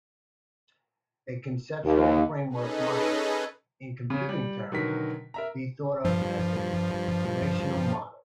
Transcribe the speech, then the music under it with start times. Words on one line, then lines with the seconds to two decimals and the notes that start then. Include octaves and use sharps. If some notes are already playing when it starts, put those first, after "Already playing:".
A conceptual framework might, in computing terms, be thought of as a relational model.
1.84 D#2
2.49 C#4 D#4 G#4 A4 B4 D#5
4.10 C#3 C#4
4.29 G3
4.72 B2 D3 D#3 F#3 A#4 B6
5.34 A#4 E5 A#5
6.05 G2 F3